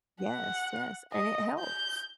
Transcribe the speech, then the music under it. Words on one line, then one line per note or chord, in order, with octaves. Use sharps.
Yes, yes, and it helps.
F#5
D#5
G6